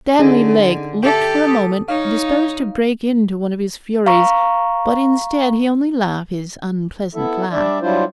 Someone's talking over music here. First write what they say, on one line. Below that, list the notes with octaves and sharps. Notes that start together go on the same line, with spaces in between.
Stanley Lake looked for a moment disposed to break into one of his furies, but instead he only laughed his unpleasant laugh.
D3 C#4 D#4 G#4
G4 A4 E5 G5
D#6
D#4 C#5 F5
F5 A#5 C#6
B3 E4 A4 E5
G3 D4 D5 E5
F#3 G3 D4 E4 F4 C5